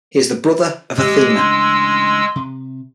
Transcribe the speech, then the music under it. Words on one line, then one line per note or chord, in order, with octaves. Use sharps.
He is the brother of Athena.
A2 E3 G#3 G4 E6
A1 C#3 D4 C6
C3